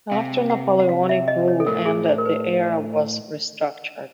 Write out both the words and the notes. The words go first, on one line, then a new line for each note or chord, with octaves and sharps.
After Napoleonic rule ended, the area was restructured.
C3 F5
F#5
F#5
F5
E5
D#5
C#5
A4
A2 A#4
G#4
C5
A#4
B4